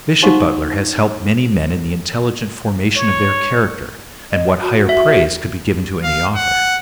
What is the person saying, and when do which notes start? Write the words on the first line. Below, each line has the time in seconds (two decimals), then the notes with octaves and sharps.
Bishop Butler has helped many men in the intelligent formation of their character, and what higher praise could be given to any author?
0.23 D#4 F#4 C5 F5 F#5 C#6
2.97 C#5
4.32 D#5
4.61 F#4
4.89 E5
6.04 F5
6.35 F#5